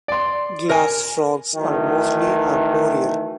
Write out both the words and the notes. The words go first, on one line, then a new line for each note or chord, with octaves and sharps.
Glass frogs are mostly arboreal.
D5 C6
A#4 G#5
D#3 E3 F#3 A3